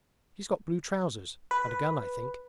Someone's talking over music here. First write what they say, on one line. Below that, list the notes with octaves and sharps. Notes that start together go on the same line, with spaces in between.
He's got blue trousers, and a gun I think....
B4